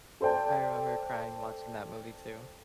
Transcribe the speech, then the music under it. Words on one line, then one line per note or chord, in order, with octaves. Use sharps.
I remember crying watching that movie too.
A4 C5 D5 G5 A5